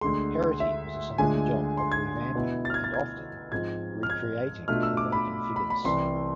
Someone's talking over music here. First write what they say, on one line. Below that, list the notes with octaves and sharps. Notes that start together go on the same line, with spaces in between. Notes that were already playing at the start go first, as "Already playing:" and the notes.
Heraty was assigned the job of revamping and often, recreating the broken figures.
D2 D3 G#3 C6
E5
D2 D3 G#3 D4 F4 G#5
C6
G#6
B2 B3 E4
F6 A6
G#6
A6
G#6
G#2 F3 G#3 C4 G#6
F6
G#6
B2 A3 D4 F4 F6
E6
D6
B5
B5
B5
C2 C3 E3 C6